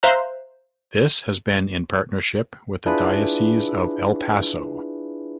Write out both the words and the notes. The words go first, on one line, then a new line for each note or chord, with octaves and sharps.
This has been in partnership with the Diocese of El Paso.
C5 E5 F5 A#5 F#6
D4 E4 F4 G#4 B4